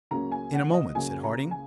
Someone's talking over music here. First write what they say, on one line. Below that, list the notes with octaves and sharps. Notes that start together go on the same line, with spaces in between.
"In a moment," said Harding.
C#2 C#3 F#3 A#3 C#4 A#5
G#5
F#5
D#5
C#2 C#3 F#3 A#3 C#4 G#5
A#5
G#5